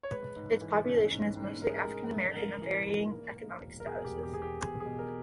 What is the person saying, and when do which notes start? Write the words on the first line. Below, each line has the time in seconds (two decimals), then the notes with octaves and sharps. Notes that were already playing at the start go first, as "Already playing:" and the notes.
Its population is mostly African American, of varying economic statuses.
0.03 C#5
0.11 G#3 B4
0.36 G#2
0.61 E3
0.86 C#4
1.11 G#2
1.37 G#2
1.62 G#2 A#4
1.69 G#4
1.76 A#4
1.87 G#3
2.12 G#3
2.36 G#3 A#4
2.62 E3
2.86 G#2
3.11 A#3
3.37 A#3
3.61 E1
3.80 A#4
3.86 B2 G#4
4.05 G4
4.11 E2
4.23 G4
4.34 E2 G#4
4.42 G4
4.61 E2 G#4
4.80 G#4
4.86 B2
4.99 A#4